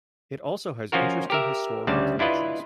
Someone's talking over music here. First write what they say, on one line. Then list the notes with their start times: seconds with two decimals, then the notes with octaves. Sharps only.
It also has interesting historical connections.
0.92 F3 C#4 F4 F#4 A#4
1.30 G4 A#4 E5
1.87 D2 C#3 G3 D5 A5
2.19 D4 E4 F4 B4 D#5